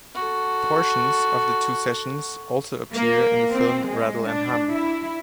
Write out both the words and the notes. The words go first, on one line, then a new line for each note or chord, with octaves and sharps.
Portions of the two sessions also appear in the film "Rattle and Hum".
F#4 A4
A#3
C4
G#3
D4
E4